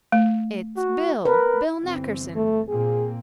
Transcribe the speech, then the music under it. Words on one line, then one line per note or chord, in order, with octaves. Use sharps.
"It's Bill--Bill Nackerson!"
A3
F#4
A#4 B4
G1 E3 C4
A3
A#2 A#3 C4 G#4